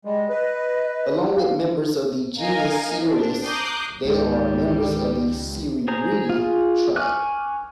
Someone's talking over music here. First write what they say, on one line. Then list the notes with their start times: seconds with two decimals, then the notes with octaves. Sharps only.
Along with members of the genus "Sciurus", they are members of the Sciurini tribe.
0.05 G3 G#3 D#5
0.29 B4
1.34 F5
2.40 D#4 A#4 D#5 F5 G#5 A#5
3.03 C4 D4
3.45 A#5 D6 D#6 F#6 G6 C7
4.05 C#2 G#2 D#3 G3
5.88 G#4 C5 A#5
6.30 F4 G#4
6.96 G#5 C#6 D6 F6 F#6